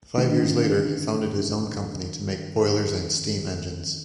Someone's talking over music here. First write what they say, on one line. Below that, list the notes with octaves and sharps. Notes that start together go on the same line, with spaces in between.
Five years later he founded his own company to make boilers and steam engines.
D#3
D3
C#3
D3
D3